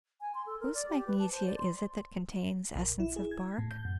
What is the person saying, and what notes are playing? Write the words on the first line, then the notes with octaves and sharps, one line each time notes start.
Whose Magnesia is it that contains essence of Bark?
G#5
C6
A4
A#4
D5
G4
B4
A5
C5
D5
C6
A#1
E4
G#4
G#6
A2
G6
F#2